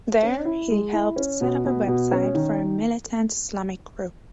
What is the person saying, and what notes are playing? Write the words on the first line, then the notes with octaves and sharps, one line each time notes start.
There he helped set up a website for a militant Islamic group.
C#4
E4
G#3
E4
C#4
B2
B2
B2
C#4
D#3